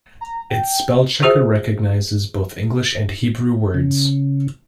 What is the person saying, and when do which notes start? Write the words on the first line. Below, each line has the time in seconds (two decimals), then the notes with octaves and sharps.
Its spellchecker recognizes both English and Hebrew words.
0.21 A#5
0.50 G5
1.22 F4 F#4 G#4 C5 E5
3.74 C#3